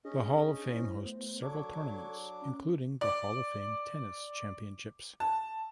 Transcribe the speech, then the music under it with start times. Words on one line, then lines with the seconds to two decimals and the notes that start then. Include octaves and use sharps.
The Hall of Fame hosts several tournaments, including the Hall of Fame Tennis Championships.
0.05 C#4 D4 G#4 D#5
0.71 E4 C5
1.05 A3 B3 C5
1.42 F#3 D4 A4 C#6 D6 G#6
2.42 C#4
3.01 D5
5.20 A5